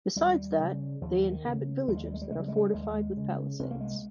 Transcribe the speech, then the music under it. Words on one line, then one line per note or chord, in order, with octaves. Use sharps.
Besides that, they inhabit villages that are fortified with palisades.
D#2 G3
C#3
D#2 F3
D#3
C#3
D#2 G3
G#3
G3
G#3
G3
C#3 G#3
G3
G#3
G3
D#2 G#3
C#3
C2 C4
A#3
G#3